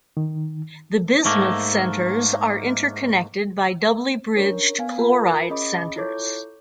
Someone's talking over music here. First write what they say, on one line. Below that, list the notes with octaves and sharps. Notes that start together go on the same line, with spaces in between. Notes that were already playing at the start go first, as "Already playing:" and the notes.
The bismuth centers are interconnected by doubly bridged chloride centers.
D#3
G#2 A3 A#3
C#4 D4 A#4 C#5
B3 F5 G#5
F4 A#4 B5
C#4 G#4 D#5 B5 D6
E4 F4 A4 C#5 D6 G6